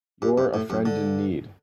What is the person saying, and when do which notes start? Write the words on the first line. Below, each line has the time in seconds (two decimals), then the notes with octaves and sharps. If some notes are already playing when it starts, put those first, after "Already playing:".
You're a friend in need.
0.22 G2
0.38 G2
0.54 A2
0.70 F#2
0.85 D3